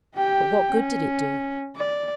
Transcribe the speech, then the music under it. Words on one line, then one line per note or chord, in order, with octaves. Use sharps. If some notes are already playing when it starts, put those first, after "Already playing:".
But what good did it do?
G4 G5
C#4
D5